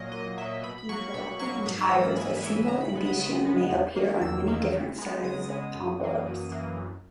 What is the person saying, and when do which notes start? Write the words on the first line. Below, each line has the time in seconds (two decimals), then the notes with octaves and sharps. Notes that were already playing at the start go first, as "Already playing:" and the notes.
In collecting entires, a single indicium may appear on many different sizes of envelopes.
Already playing: A#2 F#3 A#3 D#5
0.12 A#2 D#5
0.37 F#3 E5
0.42 A#3
0.63 B2 B5
0.78 B5
0.89 F#3 A#3 C#6
1.14 B2 B5
1.39 F#3 A#3 C#6
1.66 G#2 D#6
1.78 E6
1.91 E3 A#3 D#6
2.03 B5
2.16 G#2 G#5
2.42 E3 A#3 G#5
2.68 C#3 A#5
2.81 B5
2.94 G#3 B3
3.06 D#6
3.19 C#3
3.45 G#3 B3
3.70 E2
3.96 D#3 A#3
4.21 E2 E6
4.48 D#3 A#3
4.72 C#3
4.98 G#3 B3
5.24 C#3 D#6
5.49 G#3 B3
5.75 F#2
6.00 E3 A#3
6.26 F#2
6.52 E3 A#3
6.77 F#2